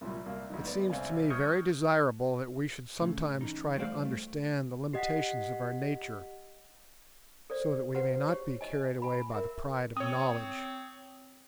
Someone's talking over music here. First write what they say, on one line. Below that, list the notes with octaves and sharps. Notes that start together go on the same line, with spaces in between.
It seems to me very desirable that we should sometimes try to understand the limitations of our nature, so that we may not be carried away by the pride of knowledge.
C2 A#2 F#3 G3
C2 A#3
D2 F#3 D#4
B3 D5
C2 C4 F5 G#5
C#6 D#6 F6 G6 G#6 C#7
A2 C#3 A3
E3 C#4 D#4
G3 A3 F#4 C5 D5 F5
A3
G4 D#5 F#5 B6
A4 C5 D5
F#4 B4 C5 F#5
G4 C#5
D#5 G#5
G#5 B5
A#4 E5
C4 C#5 D#6